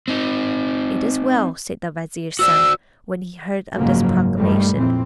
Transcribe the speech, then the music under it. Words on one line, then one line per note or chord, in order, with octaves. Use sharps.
"It is well," said the vizier's son, when he heard of this proclamation.
C4 D#4
F#4 C5 D5 E6
F#1 G#2 C#3 F3 F#3 A#3
G2 D#3 G3 A3
F2 A#2 E3 C4